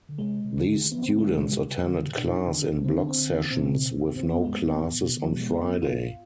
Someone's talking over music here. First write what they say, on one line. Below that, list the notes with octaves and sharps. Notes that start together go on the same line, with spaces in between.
These students attended class in block sessions with no classes on Friday.
D3
C3 G#3
C3
D3
D#3
F3 B3
D#3 C4
D3 G#3
B2 G#3
C3 G3
D3
G#2
B2 D4
D#4
D4
C3
D3
D#3
D3 C4
D4
C4
D3
B2 C4
B2
G#2
G2 C4
F2 B3
G2 G#3
G#2
B3
G2
G#2
G#2
B2
D3
F3
C3
B2 G3
G#3
G#2 B3
G2 F4